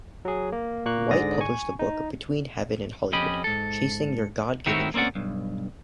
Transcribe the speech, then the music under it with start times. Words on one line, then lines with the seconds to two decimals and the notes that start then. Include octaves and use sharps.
White published the book "Between Heaven and Hollywood: Chasing Your God-Given Dream".
0.25 F#3 G#4
0.52 A#3
0.86 A#2 A#3 C#6 F#6
1.11 G#2 D3 G#4 D5 D#6 A#6
1.41 G#5 C#6
1.79 D#4
3.13 F2 C#4 G4 D#5 B5
3.44 G#2 A4
4.66 D#3 A3 C4 E4 F#4 C#5
4.94 A#3 C4 C#4 D5 F#5
5.15 B1 G2